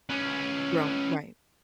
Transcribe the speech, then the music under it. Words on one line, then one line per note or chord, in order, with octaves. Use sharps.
Growing, right.
C#4 B4